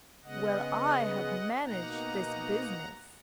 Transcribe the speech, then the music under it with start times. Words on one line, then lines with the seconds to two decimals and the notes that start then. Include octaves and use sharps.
'Well, I have managed this business.
0.24 C#3 G#3 B3 D#5 F#5
1.63 B2 A#3 D#4 F#5 A#5